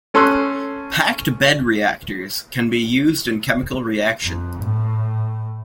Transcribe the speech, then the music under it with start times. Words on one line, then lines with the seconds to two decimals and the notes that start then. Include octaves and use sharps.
"Packed bed reactors" can be used in chemical reaction.
0.14 A3 C#4 A4 C6 E6 F#6
4.23 F2
4.63 A2